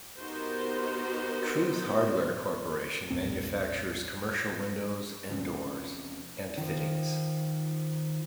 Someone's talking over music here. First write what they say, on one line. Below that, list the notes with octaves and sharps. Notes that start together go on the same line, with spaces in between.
Truth Hardware corporation manufactures commercial window and doors, and fittings.
B3 D#4 F#4 G4 A#4 C5
A#1 E2 A2 C4
E1 C3 F3 C#4
D#3 F3